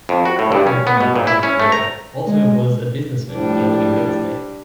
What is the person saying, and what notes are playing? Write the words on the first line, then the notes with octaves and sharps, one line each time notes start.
Prior to becoming Rebbe of Ger, Alter was a businessman dealing in real estate.
F2
F#4
A2
G2
C#4
B3
B2
A#2
E4
C#4
A3
A#5
G#3
A2 F3 G3 D4